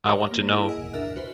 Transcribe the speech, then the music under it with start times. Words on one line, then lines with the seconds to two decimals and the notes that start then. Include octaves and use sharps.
I want to know.
0.05 G4 A#4 C#5
0.31 A#3
0.51 E4 G#4 A#4 D7
0.69 D#5 F#5 G#5 E6
0.93 D4 A#4 E5 F6 F#6
1.16 F#4 B4 C5